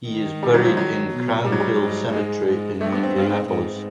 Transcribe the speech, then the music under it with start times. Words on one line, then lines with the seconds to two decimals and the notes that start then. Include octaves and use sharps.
He is buried in Crown Hill Cemetery in Indianapolis.
0.09 D#3
0.43 G3
0.54 F#3
0.65 F3
0.77 F#3
1.11 B2
1.44 G#2 G3
1.52 F#3
1.60 G3
1.79 G#2
2.13 G#2 G#3
2.47 G#2
2.80 G2 A3
2.92 B3
3.03 C4
3.15 G#2
3.49 G#2